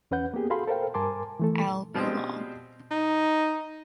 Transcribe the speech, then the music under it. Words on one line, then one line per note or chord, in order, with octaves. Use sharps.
I’ll be long.
E2 C#4 B4 F#5 G6
A#3 B3 G4 G#4
F#4 G#4 A4 F5 B5 C6
A4 A#4 C5 F5 G5
G2 A#4 G#5 A5 C6 D6
E3 A3 A4
B2 F3 G3 G#3 C4
D#4